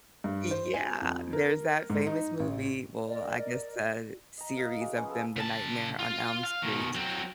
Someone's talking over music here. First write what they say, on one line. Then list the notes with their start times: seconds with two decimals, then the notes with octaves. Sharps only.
yeah, there's that famous movie, well, I guess uh series of them, The Nightmare on Elm Street,
0.24 G2
0.51 C5
0.74 G#5
1.01 F2
1.33 A#4
1.90 G#2
2.07 D#4
2.40 A1
3.07 A#4 D5 D#5
4.38 D#5 A#5
4.56 A#4 D#5 F5 A#5
4.69 D#4 D#5
4.80 F#4 G#4 D5 F5
4.95 F3 B3 C#4
5.08 B3 G#4 A4 C#5
5.36 C#3 A5
5.99 F4
6.43 F5
6.62 B2 D#3
6.95 F#3 C4